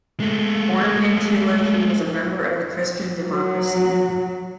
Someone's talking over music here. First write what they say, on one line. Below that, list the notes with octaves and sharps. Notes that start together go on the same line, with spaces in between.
Born in Mantua, he was a member of the Christian Democracy.
G#3 A3
F#3